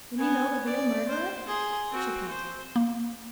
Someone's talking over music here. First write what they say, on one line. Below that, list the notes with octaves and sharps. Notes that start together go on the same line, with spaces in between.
"Then you know the real murderer?" she panted.
B3 G#5
D5
C5
G#4 C6
C4 F#4
C5
A#3